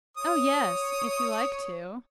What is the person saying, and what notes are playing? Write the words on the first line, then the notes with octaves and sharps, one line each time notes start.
"Oh yes; if you like to."
C#5 D#6